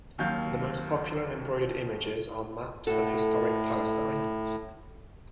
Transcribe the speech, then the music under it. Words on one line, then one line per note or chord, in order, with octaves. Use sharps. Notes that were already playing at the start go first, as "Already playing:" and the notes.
The most popular embroidered images are maps of historic Palestine.
D#2 D#3 F#3 F5 G6
A2 F#4 A4